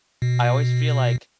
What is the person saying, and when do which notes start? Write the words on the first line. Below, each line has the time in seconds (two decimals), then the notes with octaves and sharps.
I always feel like,
0.22 B2